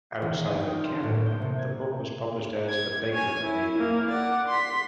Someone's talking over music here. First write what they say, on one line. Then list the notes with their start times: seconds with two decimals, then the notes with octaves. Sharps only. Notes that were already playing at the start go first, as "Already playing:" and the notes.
Outside of Canada, the book was published as "The Beggar Maid".
0.22 E1
0.34 D#3
0.46 D#5
0.60 G5
0.71 F4
0.85 C6
1.03 A2
1.15 A#3
1.26 G6
1.42 C3
1.58 G#6
2.70 G#6
3.12 C#5 G#5
3.44 E4
3.78 A#3
4.10 D5 F#5
4.48 C6 B6